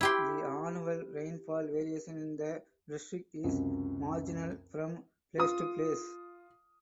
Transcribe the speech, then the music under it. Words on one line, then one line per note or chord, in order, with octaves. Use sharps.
The annual rainfall variation in the district is marginal from place to place.
E4 G4 C6
C#2 F#2 C3
F4 D#6